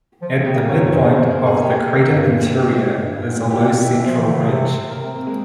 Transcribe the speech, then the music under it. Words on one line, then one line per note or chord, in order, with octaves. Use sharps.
At the midpoint of the crater interior is a low central ridge.
F3
G#4
C#3 G4
C#3 A#4
G#2 C#5
G2 C#5
G2 C5
G2 G#4
C5
G#4
A#4
G#4
G4
G2
G4
G2
G2
G#2
A#2
G4
G4
E4
F3
E3
C#3
C3
A#4
C4
A#3
G#3